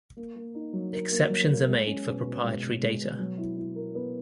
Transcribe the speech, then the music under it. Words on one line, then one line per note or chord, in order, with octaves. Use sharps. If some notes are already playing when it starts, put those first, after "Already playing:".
Exceptions are made for proprietary data.
A#3
A#3
D#4
F#3
A#4
A#3
F#3
A#3
G#3
C#4
B2
B2
G#3
B2
G#3
B2
F#3
E4
E4
A#4
B3